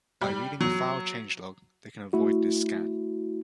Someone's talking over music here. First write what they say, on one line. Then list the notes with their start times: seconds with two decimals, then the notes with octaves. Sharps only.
By reading a file change log, they can avoid this scan.
0.21 G3
0.61 F#3
2.13 A3 E4 F#4